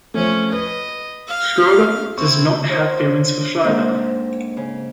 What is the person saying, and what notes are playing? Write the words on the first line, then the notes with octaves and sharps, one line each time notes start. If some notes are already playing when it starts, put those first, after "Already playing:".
Schroeder does not have feelings for Frieda.
F3 A3 C#4
B4 D#5
F5
C4 E4 C#6
F4 C5 C#5
D4
G#2 A#3 C4 A4
C#3